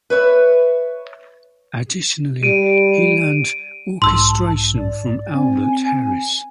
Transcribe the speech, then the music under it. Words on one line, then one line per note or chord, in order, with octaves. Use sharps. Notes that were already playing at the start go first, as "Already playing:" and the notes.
Additionally, he learned orchestration from Albert Harris.
B4 C#5 E5
G3 D7 D#7
B1 G#2 A5 C6 E6
D5
C4 G#5